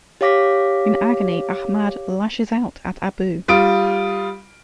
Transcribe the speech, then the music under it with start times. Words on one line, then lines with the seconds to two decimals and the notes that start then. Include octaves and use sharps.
In agony, Ahmad lashes out at Abu.
0.21 G4 C#5 F5 D6 A#6 B6
3.48 G3 F4 D#6 D7